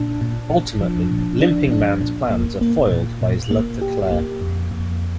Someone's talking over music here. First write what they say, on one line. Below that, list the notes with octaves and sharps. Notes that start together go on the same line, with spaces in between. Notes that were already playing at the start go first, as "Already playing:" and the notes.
Ultimately, Limping Man's plans are foiled by his love for Claire.
Already playing: A#2 D4
A#2
A#2
F3
A#2
D4
D4
A#2
A#3
A#3
A#2
A#2
A#3
G4
A#3
F2
F2